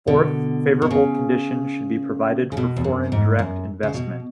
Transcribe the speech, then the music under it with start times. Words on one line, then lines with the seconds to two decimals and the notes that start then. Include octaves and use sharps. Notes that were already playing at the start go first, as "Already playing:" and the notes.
Fourth, favorable conditions should be provided for foreign direct investment.
0.07 B2 D3
0.82 B2
0.91 C#3
2.52 C#3
2.57 B2
2.76 E2
2.84 F#2
3.12 G#2
3.39 F#2
3.83 C#3
3.94 B2